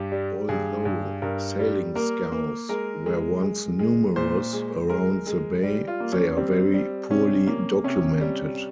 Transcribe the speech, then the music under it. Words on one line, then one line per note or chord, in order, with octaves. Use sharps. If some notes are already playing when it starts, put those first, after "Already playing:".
Although sailing scows were once numerous around the Bay, they are very poorly documented.
Already playing: G2 G4
G3
G2 G#4
G2
G2 A#4
G3
A#3 A#4
A#3
G#3 A#4
G#3
G#3
G#3
A#2 C5
G#3
G#3 A#4
G#3
G3
F4
A#3
C#4
G3 C4
G3
C3 C#4
A#3
C3 C#4
G3